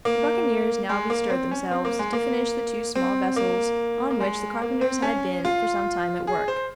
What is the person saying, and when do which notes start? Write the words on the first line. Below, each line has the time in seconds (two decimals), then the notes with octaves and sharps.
The buccaneers now bestirred themselves to finish the two small vessels on which the carpenters had been for some time at work.
0.05 A#3
0.89 G#3
1.10 A#3
1.30 C4
1.51 C#4
1.71 C4
1.85 A#3
1.99 G#3
2.13 A#3
2.95 C4
3.36 A#3
4.11 A#3
4.20 G#3
4.62 A#3
4.81 C4
5.02 C#4
5.45 F4
6.27 G#4
6.48 C5